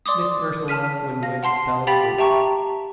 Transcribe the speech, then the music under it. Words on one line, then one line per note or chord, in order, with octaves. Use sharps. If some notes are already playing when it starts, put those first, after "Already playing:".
Miss Ursula Winwood fell asleep.
D5 C6 D6 D#6
A5 F6 B6 D#7
F5 A#6
F#5 A5 C6 C7
G4 F5 G5 B5 A6 B6
G4 E5 G5 A5 A#5 C#6